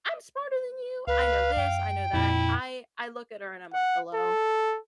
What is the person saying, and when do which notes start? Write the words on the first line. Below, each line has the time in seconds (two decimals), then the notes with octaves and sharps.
"I'm smarter than you. I know 'this', I know 'that'." I I look at her and I'm like, "Hello?"
1.07 C#2 B4 F5
1.57 F#2 G5
2.14 F2 A#2 E4
3.73 F#5
4.14 A4